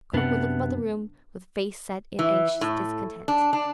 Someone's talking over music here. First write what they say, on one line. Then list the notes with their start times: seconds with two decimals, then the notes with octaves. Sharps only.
Kirkwood looked about the room with face set in anxious discontent.
0.13 F#2 C3 B3 D4 F#5
2.19 E3
2.61 A2
3.28 D4
3.53 D4